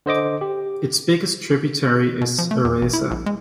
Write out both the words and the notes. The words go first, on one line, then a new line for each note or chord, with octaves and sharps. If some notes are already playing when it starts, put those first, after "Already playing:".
Its biggest tributary is Aresa.
D3 C5 D#5 D6
G4
B2
F3
A3
E2
A1
E4
A#1
G#3